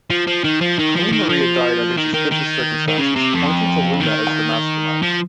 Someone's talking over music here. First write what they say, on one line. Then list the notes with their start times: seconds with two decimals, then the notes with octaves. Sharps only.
Queen Maria died under suspicious circumstances, pointing to Luna as the mastermind.
0.10 F3
0.27 F3
0.44 D#3
0.61 F3
0.79 D#3
0.96 F3
1.12 D#3
1.29 F3
1.97 D#3
2.14 D#3
2.31 D#3
2.88 D#3
2.98 C#3
3.16 C3
3.34 F2
4.01 D#3
5.02 F3